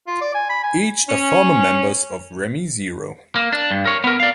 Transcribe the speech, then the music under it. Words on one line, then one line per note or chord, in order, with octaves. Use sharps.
Each are former members of Remy Zero.
F4
D5
G#5
B5
G#5
C#4
A#3
D4
G2
A#4 C#5
B3 A#4
D5 F5